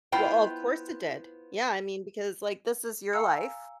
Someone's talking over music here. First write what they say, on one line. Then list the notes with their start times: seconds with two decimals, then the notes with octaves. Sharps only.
Well, of course it did. Yeah. I mean, because, like, this is your life,
0.12 B3 E4 F4 C5 G5
3.13 F5 G#5 A#5 E6 C#7